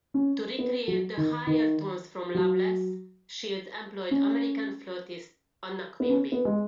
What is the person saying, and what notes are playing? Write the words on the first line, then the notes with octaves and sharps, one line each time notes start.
To recreate the higher tones from "Loveless", Shields employed American flautist Anna Quimby.
C#4
B3
F#3
D#3
D#3
F#3
C#4
B3
C#4
B3
G#3